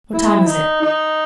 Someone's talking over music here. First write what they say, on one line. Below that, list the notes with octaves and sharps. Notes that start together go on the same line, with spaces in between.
"What time is it?"
E4
D#4
D#4